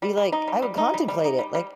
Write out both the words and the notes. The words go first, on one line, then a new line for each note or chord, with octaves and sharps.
be like I would contemplate it, like,
G3
G3
D#4
G3
G3
D#4
G3
G3
D#4
G3
G3